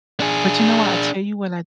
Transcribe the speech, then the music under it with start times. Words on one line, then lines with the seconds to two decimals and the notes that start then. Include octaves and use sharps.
but you know what I tell you when I
0.20 D4 G#4